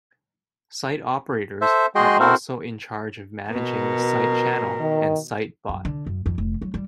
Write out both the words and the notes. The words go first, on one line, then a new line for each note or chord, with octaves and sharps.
Site operators are also in charge of managing the site channel, and sitebot.
A4 C5 E5
G#3 F#4 G#4 D#5 G5 C6
C4 E4 F#4 A4 A#4 C5
B2 A#4
D#3
F#2
D3
F#2
F2
F1
F#3
G3